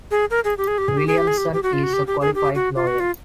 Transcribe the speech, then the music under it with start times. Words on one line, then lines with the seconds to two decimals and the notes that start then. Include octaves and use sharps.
Williamson is a qualified lawyer.
0.11 G#4
0.30 A#4
0.45 G#4
0.58 G4
0.68 G#4
0.78 G4
0.88 G#4
0.97 G4
1.07 G#4
1.18 G4
1.27 G#4
1.38 G4
1.53 G4
1.63 F#4
1.73 F4
1.83 F#4
1.93 G4
2.07 G4
2.21 G#4
2.35 G4
2.55 F#4
2.76 F4
2.87 F#4
3.00 F4